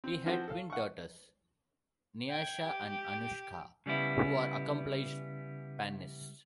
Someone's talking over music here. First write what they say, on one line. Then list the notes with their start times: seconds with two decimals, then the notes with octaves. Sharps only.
He had twin daughters, Niasha and Anuska, who are accomplished pannists.
0.04 C4
0.26 E3 F3 C4 F#4 A4 C5
0.48 A4 F5
0.70 F#5 C#6
2.29 G5 G#6
2.65 G4
3.86 C#3 G3 B3 E4